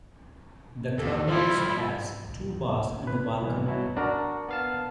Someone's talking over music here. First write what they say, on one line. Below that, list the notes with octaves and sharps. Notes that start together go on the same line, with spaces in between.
The club house has two bars and a balcony.
D#2 A4
F3 G3 E4 F4
B4
C2 B2 E3
B2 F#3 E4
D4 F#4 A#4
B3 F5 A5